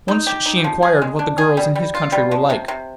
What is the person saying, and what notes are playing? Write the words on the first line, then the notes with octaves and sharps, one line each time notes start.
Once she inquired what the girls in his country were like.
D#4
G4
D#4
F3
G#4
G#3
D4
G#4
G3
G3
F4
G3
F3
C3
C3